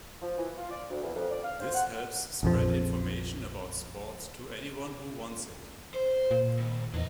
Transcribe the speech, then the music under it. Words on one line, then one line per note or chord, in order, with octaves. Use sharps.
This helps spread information about sports to anyone who wants it.
F3
E3
F4
D5
D2
E2
F2
D5
F5
C5
F#5
A#1 F2 F3
C5
A#2
A2 D#3
E2 D4 D#5